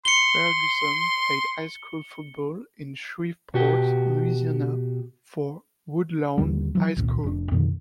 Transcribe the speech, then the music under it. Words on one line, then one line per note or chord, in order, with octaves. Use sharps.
Ferguson played high school football in Shreveport, Louisiana, for Woodlawn High School.
C6 C#7 G7
B2 F#4 G4
D#2 D3 G3
E3 F#3
G#1 C#2 A#2
F1 D4
F2 B2 D3 D#3